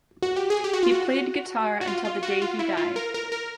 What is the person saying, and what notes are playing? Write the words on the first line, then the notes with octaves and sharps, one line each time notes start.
He played guitar until the day he died.
F#4
G4
G#4
G4
F#4
F4
F#4
F#4
F4
F4
F#4
F4
E4
F4
A#4
A#4
A#4